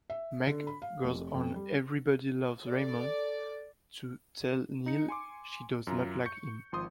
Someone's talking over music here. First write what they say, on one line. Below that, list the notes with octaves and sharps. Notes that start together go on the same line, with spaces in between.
Meg goes on "Everybody Loves Raymond" to tell Neil she does not like him.
E5
D3
B5
F5
F1
F2
G3
A4 D5
D#4 C#7
G#5 C6 D6
F#2 F4 A#5
C#6 G6 C#7
G#1 F3 C6 D#6